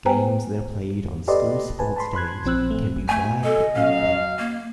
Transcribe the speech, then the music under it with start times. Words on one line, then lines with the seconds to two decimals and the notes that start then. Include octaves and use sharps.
Games that are played on school sports days can be wide and varied.
0.05 B3 B4 C5 G5 G#5 A#5
1.28 G4 A4 B4 D5 D#5 C6
1.79 B4 G#5 A5
1.96 A5 B5 C6
2.13 B5 C6 F#6 G#6
2.44 A#1 F3 C4 E6 F#6
2.71 A1 A3
3.09 A3 G#5
3.44 A4 D#5
3.75 F#3 C#4 F5
4.39 A#3